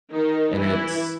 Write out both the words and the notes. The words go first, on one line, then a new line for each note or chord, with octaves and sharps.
And it's
D#3 D#4
E3 E4